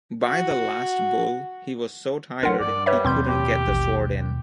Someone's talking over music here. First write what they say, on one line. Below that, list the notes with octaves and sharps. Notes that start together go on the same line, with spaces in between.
By the last bull he was so tired he couldn’t get the sword in.
F#4
F#3 D4 F4 A#4 F#5
G2 D5
G3 B4 C#5 E5
D#2 B2 F3 C4 C6 G6
G4
A1